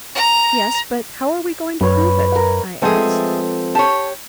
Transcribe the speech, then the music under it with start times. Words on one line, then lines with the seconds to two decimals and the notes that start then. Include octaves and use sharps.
"Yes, but how are we going to prove it?" I asked.
0.15 A#5
1.81 F#2 B4 C#5
2.32 A#4 F#5
2.82 F3 G#3 A3 B3 C4 G#4 A4 C5
3.75 G4 C#5 A5